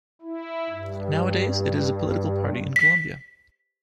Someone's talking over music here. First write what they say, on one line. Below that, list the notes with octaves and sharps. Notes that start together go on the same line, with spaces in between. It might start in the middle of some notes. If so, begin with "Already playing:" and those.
Nowadays it is a political party in Colombia.
E4
G2
B6